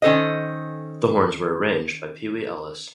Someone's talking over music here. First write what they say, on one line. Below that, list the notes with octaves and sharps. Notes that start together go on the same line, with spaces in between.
The horns were arranged by Pee Wee Ellis.
D#3 C#4 A4 C5 D#5